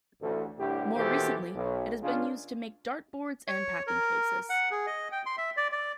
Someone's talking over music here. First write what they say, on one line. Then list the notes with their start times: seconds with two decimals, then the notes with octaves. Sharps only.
More recently, it has been used to make dart-boards and packing cases.
0.21 A1 D2 A4
0.59 C2 A2 D3 G4
0.96 D#2 B2 E3 G4 A4 C5
1.54 B1
2.02 C#2 C#3 D4 F4
3.48 C#5
3.87 A#4
4.50 F#5
4.71 G#4
4.87 D#5
5.12 G5
5.26 C6
5.37 E5
5.57 D5
5.72 D5